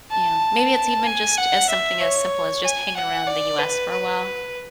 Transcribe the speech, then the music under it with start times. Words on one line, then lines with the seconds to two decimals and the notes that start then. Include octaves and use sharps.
You know, maybe it's even just as something as simple as just hanging around the US for a while.
0.11 A5
1.06 G#5
1.37 F#5
1.69 E5
2.00 C#5
2.65 G#5
2.96 F#5
3.27 D5
3.58 B4
3.90 B4